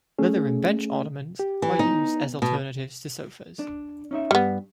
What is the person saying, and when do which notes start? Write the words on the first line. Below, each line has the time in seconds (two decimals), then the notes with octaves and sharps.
Leather and bench ottomans are used as alternatives to sofas.
0.19 A3 C#4 G#4
1.39 G4
1.62 E3
1.79 B3 D#4
2.42 B2
3.59 D4
4.11 C#4 D#4 E5
4.31 G2 G3 B3